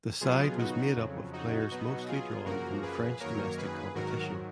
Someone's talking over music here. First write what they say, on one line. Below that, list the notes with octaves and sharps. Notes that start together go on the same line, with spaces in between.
The side was made up of players mostly drawn from the French domestic competition.
B2 F#3 B3 F4 G#4
D#4 F#4
F2 C#3 F#3
D#4 F#4
B2 F#3 B3 D#4 F#4
F4 G#4
F#2 C#3 F3 A#3 F#4 A#4
G#4 B4
F#2 D#3 F#3 A#3 A#4 C#5
G#4 B4
G#2 D#3 F#3 F#4 A#4